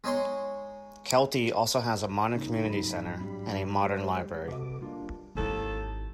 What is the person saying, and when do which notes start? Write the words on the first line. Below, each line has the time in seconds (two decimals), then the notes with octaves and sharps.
Kelty also has a modern community centre, and a modern library.
0.04 G#3 D#4 G#4 C#5 D#5 C6
2.34 C#3 A#3 D#4
2.65 G#2 F#3 B5
3.20 G2 G3
3.83 G#3 C5
4.48 C3 F#4 A4 B4 D#5 D6
4.81 G3 A#3 D4 F4
5.35 G#1 D#2 E4 A4